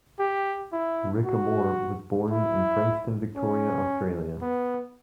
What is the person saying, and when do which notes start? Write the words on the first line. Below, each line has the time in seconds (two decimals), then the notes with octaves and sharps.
Rick Amor was born in Frankston, Victoria, Australia.
0.19 G4
0.73 E4
1.25 F#4
2.31 E4
3.36 C#4
4.42 B3